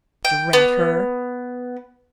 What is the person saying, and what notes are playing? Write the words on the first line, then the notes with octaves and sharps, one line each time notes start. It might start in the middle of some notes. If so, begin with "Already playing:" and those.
Drat her!
G5
B3